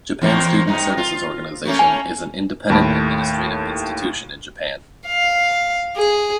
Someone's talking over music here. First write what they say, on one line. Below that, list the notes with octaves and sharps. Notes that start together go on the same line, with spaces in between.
Japan Student Services Organization is an independent administrative institution in Japan.
E2 F3 A#3
G2 D#4
F4
A3 A#3 C#4
G#5
D#2 A2 A3 A5 B5 D7
F5
G#4